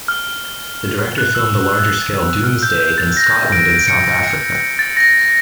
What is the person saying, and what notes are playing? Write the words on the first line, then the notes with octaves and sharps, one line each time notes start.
The director filmed the larger-scale "Doomsday" in Scotland and South Africa.
F6
F6
F#6
E6
F6
G6
G6
A6
A#6
D7
D7
C#7
C#7
A6
A#6